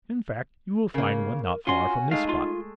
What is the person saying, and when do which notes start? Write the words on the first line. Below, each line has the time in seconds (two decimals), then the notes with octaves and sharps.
"In fact you'll find one not far from this spot."
0.94 C#3 A#3 A#4
1.67 C#4 F4 F#4 G#5 C6
2.11 G#3 A3 D#4 F5
2.29 F4